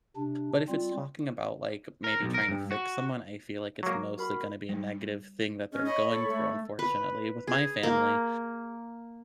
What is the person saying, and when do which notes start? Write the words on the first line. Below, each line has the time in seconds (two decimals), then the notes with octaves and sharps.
but if it's talking about, like, maybe trying to fix someone, I feel like it's mostly gonna be a negative thing that they're going through. Unfortunately, with my family,
0.16 C3 D4
0.69 G3 C4 F4
2.04 A#4
2.21 B1
2.34 A#4
2.49 G2
2.71 F#4
3.83 F#3 A#3
4.18 F#4 A#4 B5
4.69 G3
5.72 C#4 G#4 D#5
5.85 C#5 D#5 B5 C#6
6.11 A4
6.28 A3
6.79 B4
7.47 G#4
7.83 A#3